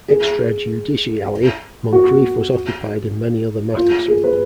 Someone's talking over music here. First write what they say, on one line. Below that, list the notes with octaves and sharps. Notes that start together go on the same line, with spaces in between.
Extrajudicially Moncreiff was occupied in many other matters.
G#4
F#4
F4
G#4
B4